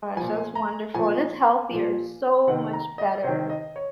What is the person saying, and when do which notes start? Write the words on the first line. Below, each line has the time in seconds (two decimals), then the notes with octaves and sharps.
gosh, that's wonderful, and it's healthier, so much better.
0.17 A#2 F3 G#5
0.55 A#5
0.94 A#2 F3 G#5
1.70 A#2 F3
2.47 C3 D#3 F#5
2.73 A#5
2.98 D#5
3.24 C3 D#3 C5
3.50 D#5
3.76 C#5